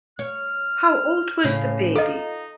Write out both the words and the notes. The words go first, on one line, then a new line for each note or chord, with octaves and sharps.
How old was the baby?
C#5 F6
A2 C#3
D#4 F4 A4 D#5